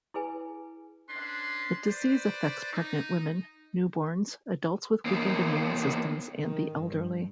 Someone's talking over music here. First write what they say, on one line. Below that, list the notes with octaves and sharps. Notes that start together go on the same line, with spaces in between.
The disease affects pregnant women, newborns, adults with weakened immune systems, and the elderly.
E4 G#4 B4 G#5
C#4 D4 B4 C6
B4 C5 D5
D#4
E2 A#3
D#3
G2